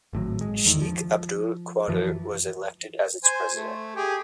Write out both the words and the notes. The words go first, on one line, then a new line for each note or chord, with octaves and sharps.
Sheikh Abdul Qadir was elected as its president.
G#1 A2 D3 F#3
G#3
E2 D3 D#3
F3
F#2 E3 F3
C5 G#5
A3
G4 G#4